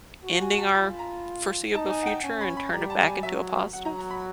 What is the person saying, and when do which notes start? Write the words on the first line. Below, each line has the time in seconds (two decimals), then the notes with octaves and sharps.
ending our foreseeable future and turn it back into a positive?
0.24 F#4
0.41 G#5
0.58 A5
0.74 F4 B5
0.99 A#5
1.74 D#4 A5
1.91 G#5
2.03 F#5
2.07 G5
2.24 C#4 G#5
2.41 B5
2.57 B5
2.73 G3 A#5
2.90 A5
3.07 G#5
3.23 F#3 E5
3.73 F#3 F#5
3.85 A#5
3.98 A#5
4.10 B5